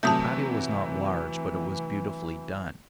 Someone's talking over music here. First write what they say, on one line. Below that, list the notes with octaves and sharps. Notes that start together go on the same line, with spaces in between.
The patio was not large, but it was beautifully done.
C3 E3 F#3 A3 A5 D#6 G6